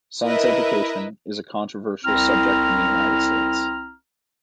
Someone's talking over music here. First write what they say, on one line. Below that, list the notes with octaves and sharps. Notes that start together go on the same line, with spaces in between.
Science education is a controversial subject in the United States.
E4 A#4 B4 D#5 E5
C2 C4 E4 A#5 F6